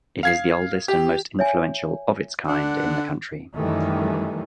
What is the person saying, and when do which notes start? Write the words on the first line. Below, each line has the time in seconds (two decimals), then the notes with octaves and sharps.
It is the oldest and most influential of its kind in the country.
0.23 F5 G#6 C7
0.88 G4
1.39 C#5 E5 G#5
2.47 D3 D4 F#5
3.55 F#2 D#3 E3 G3 A3